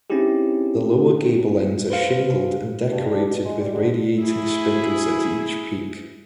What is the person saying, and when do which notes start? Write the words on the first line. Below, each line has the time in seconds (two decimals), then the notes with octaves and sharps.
The lower gable ends are shingled and decorated with radiating spindles at each peak.
0.10 C4 C#4 D#4 E4 G4 G#4
1.90 B4 C5 F5
2.91 G2
3.11 D4
3.29 B2
3.45 G#3
3.60 G3
3.74 D3
4.23 E4 G#4